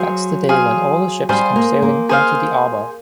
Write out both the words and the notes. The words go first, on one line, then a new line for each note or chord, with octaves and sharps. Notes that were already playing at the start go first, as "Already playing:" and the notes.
That's the day when all the ships come sailing into the arbor!
Already playing: F#3 G#4 C5 F5
G#4 C5 F5
G3 G#4 C5 F5
A#3
A#3
G#4 C5 F5